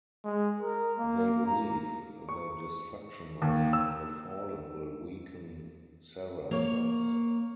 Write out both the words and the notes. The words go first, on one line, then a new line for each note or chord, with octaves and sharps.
They believe the destruction of The Fallen will weaken Zarathos.
G#3
A#4
A#3
A#5
C#6
D#2
E6
A#3 C#5